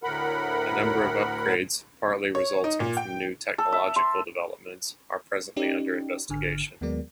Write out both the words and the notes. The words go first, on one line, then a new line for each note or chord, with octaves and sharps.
A number of upgrades, partly resulting from new technological developments, are presently under investigation.
D2 A2 A#4 F#5 B5
C#5
D#4
A#2
G5
A4
E5
C6
C#4 D#4 G4 D5
G#1 D3 G#5 F6
D#2 F#3 G#3 B3 A#4 D5